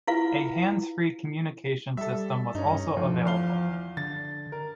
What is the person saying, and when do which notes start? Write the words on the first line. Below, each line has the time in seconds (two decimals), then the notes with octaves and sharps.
A hands-free communication system was also available.
0.07 E4 F4 B4 F5
1.97 G3 A4 E5
2.55 G2 C#4 D#4
2.97 D2 F3
3.26 E2 F5 G7
3.97 D3 A6
4.52 A#4